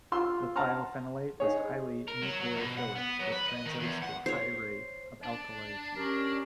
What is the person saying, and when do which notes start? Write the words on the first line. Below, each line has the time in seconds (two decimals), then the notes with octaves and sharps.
The thiophenolate is highly nucleophilic, which translates to a high rate of alkylation.
0.12 F4 C6 E6
0.56 F#5 A5 A#5 C6 F6
1.40 D#4 G#4 C#5
2.08 A#4
2.22 F#3
2.41 F#3
2.56 B2
2.78 F#5
2.96 B3
3.19 F#3
3.32 B4
3.48 D#5
3.65 D#3
3.79 E2
4.02 F#5
4.26 C5 C#5 C7
5.24 D4 A5
5.96 C#4 G4 A#4